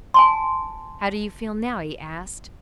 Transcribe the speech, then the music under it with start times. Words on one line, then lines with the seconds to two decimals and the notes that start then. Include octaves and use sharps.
"How do you feel now?" he asked.
0.14 G#5 A5 C6